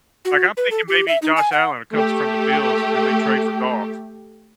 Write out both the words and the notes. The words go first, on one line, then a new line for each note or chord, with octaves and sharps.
Like, I'm thinking maybe Josh Allen comes from the Bills, and they trade for Goff
F#4
B4
A4
G4
E5
D#4
G#5
F#5
A3 G4